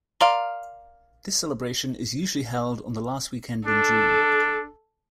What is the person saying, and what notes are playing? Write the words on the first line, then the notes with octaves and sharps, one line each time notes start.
This celebration is usually held on the last weekend in June.
A#4 D5 F5 A#5 C6
D4 A4